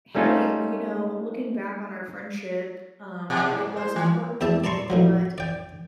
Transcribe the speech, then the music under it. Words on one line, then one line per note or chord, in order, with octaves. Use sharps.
"Hey, you know, looking back on our friendship, um, it was important to me but
G3 A3 C#4 D#4 F4
B2
G#2
C5
E3
E2 G4 E5 A5
D5 A5 A#5 C6 C#6
A2 F3 F#3
D5 G5